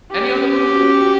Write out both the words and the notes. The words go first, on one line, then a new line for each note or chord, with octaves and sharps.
any other ones that you can think of?
C#4 G4
F#4